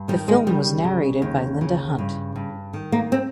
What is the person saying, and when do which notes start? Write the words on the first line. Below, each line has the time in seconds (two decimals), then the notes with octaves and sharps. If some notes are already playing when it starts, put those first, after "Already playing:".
The film was narrated by Linda Hunt.
Already playing: G2
0.08 D#3 G3
0.28 G#3
0.47 C#3 G3
0.84 C#3
1.22 D#2
1.61 C#3
1.98 G2
2.36 G2
2.73 D#3
2.92 A#3
3.12 C4